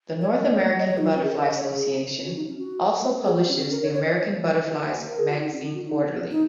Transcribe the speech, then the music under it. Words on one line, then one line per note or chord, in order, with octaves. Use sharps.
The North American Butterfly Association also publishes the American Butterflies magazine quarterly.
C#5
D#5
D#5
C#5
C#5
D#5
C#5
D#4
F#4
C#4
G#4
A#4
D#5
C#5
G#4
F#4
D#4
C#4
F#4
G#4
F#4
C#4
C#4
A#4
C#5
C#5
D#5
C#5
A#4
G#4
F#4
D#4
C#4
D#4
F#4
D#4
D#4